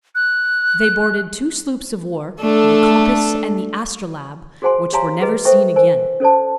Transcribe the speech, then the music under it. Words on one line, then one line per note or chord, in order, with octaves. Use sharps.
They boarded two sloops of war, the Compass and the Astrolabe, which were never seen again.
F#6
A3 D4 A4
F#4 G#4 C5 F#5 G#5 C6
G4 C#5 F5 G#5 A#5 C6
G#4 B4 D#5
A4 C5 E5 G5 C#6
A#4 C5 G#5
C#4 A4 C5 D5 A5